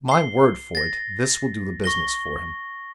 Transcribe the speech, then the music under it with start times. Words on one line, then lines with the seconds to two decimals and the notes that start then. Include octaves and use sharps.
My word for it, this will do the business for him.
0.08 C7 G7
0.75 A6 A#6
1.84 C#6 A#6 G7